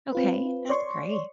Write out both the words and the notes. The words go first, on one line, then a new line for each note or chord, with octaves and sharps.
Okay, that's great.
C4 F4 B4
C#5 D5 C6 C#6